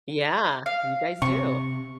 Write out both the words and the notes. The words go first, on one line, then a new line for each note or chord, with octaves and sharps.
Yeah, you guys do.
F5
C3 C#6